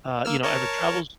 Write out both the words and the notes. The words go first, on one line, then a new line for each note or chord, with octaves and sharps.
uh, you know ever travels
A#3 E6 F6
A#4 C#5 A5